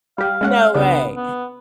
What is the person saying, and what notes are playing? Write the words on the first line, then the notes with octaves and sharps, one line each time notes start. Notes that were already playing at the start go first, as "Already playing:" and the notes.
No way,
G3 G4 F5
G#3 C#4 F#5
C2 C#3 B3 D4
B3